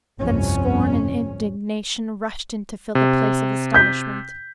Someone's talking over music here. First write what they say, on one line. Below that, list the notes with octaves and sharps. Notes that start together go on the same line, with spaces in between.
Then scorn and indignation rushed in to fill the place of astonishment.
G1 C2 F2 A2 C#4
C3
G6 B6